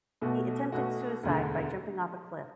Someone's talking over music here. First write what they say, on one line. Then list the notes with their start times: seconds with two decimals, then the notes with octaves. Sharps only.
He attempted suicide by jumping off a cliff.
0.21 B1 B2 A3 F#4
0.72 B1 B2 A3 F#4
1.23 E1 D2 D3